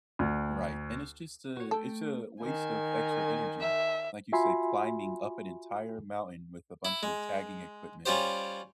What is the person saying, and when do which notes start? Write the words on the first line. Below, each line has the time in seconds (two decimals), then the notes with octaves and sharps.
Right, and it's just a it's a waste of extra energy, like you said, climbing up an entire mountain with a bunch of tagging equipment,
0.19 D2
1.57 F#4 C#5
1.71 A3 A4 G5
2.43 D#3 G#5
3.61 E5
4.33 F4 F#4 E5 G#5 B5 C6
6.85 E4
7.03 G#3
8.06 G3 C#4 F4 G4 C5